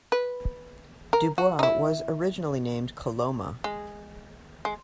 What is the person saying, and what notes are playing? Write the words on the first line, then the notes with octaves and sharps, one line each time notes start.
Du Bois was originally named Coloma.
B4
A#4
F#4
D#4
E4
G#3
G#3